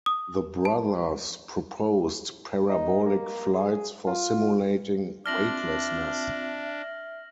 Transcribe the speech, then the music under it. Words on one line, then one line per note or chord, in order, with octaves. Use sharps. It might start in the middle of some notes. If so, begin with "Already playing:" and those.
The brothers proposed parabolic flights for simulating weightlessness.
D#6
A5
D#4
A#3
G#4
F4
C4 D4 F4 E5 A5 F6 A#6 F#7